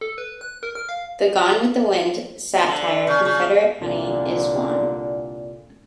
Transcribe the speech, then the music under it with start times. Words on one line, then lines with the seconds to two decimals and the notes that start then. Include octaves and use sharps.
The "Gone With the Wind" satire, "Confederate Honey", is one.
0.01 A4
0.18 B4
0.41 F#6
0.63 A#4
0.75 F6
0.89 F5
2.66 D3
3.07 C#3
3.25 C#3
3.81 C2 A#2 D3